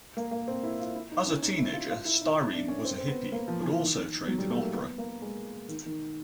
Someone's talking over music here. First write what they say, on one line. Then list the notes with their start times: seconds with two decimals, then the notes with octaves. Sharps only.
As a teenager, Styrene was a hippie but also trained in opera.
0.17 A#3
0.31 A#3
0.48 C4
0.63 E4
0.80 F4
0.96 E4
1.11 D#4
1.26 C#4
1.42 D#4
1.58 E4
1.74 F4
1.90 F4
2.05 E4
2.21 D#4
2.53 D4
2.68 C#4
2.85 C4
2.98 C4
3.08 B3
3.32 A#3
3.48 F3
3.63 E3
3.80 D#3
4.28 F#3
4.38 G3
4.50 A3
4.62 A#3
4.74 B3
4.98 A#3
5.22 G#3
5.69 D#3
5.86 D#3